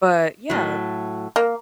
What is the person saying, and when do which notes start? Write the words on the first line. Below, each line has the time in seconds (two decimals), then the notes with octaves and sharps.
but, yeah,
0.50 A2 F#3
1.36 A#3